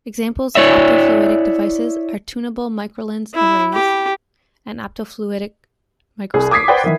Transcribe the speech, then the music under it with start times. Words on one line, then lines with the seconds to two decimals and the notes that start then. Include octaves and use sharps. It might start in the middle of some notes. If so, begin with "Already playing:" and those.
Examples of optofluidic devices are tunable microlens arrays and optofluidic microscopes.
0.55 E4 C#5 D5 E5
3.34 E4
3.74 G4
6.34 C2 G#4
6.51 D6 D#6 G#6 B6 C7
6.68 B4 C5 D5 F#5 G5
6.84 D#3 E3